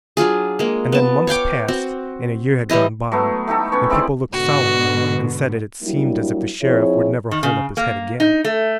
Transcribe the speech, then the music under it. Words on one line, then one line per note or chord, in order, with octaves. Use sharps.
And then months passed and a year had gone by, and people looked solemn and said that it seemed as if the Sheriff would never hold up his head again.
F#3 D4 F4 G#4
G#3 A#3
B3 A5
C#5 F5 G5 D6
C4 F#4
E3 G3 E4 D#5
F#3 A3 B3
A3 D#4 G4 A4
B3 C#4 C#5
G#3 C4 E4 D5
G#2 B2 D3 F#4
F#3 G3 A#3 D4 E4
F3 C4 E4 G#4 C#5
D#3
C#3
A#3
D#4
A3